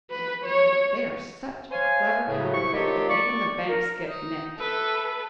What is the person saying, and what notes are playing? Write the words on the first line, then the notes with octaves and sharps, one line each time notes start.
They are such a clever counterfeit that even the banks get nipped.
B4
C#5
C5 C#5 F5 G#5
A2 C#3
C2 E4 C#6
D#3 F3 F#3 A3 F4 G4
D5 C#6
A#4
D#4
A4 B4 E5